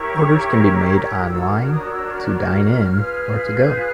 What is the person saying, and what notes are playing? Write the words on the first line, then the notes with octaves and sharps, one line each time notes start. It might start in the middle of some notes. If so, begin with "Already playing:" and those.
Orders can be made online, to dine-in, or to-go.
Already playing: E4 G4 A#4 C#5 C#6
D4 F#4 A#4 C#5 E6
F6
D#6
E6
F6
F4 G#4 B4
G6
F#6